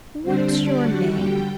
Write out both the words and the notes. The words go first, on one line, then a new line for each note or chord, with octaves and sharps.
"What's your name?"
D3 G3 C4 D4 C5
D4 D5
F#4 F#5
G4 G5